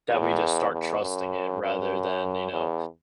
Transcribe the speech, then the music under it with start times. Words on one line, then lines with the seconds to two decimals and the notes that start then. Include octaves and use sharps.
that we just start trusting it, rather than, you know
0.09 E2
0.70 E2
1.01 F#2
1.62 F#2
2.53 E2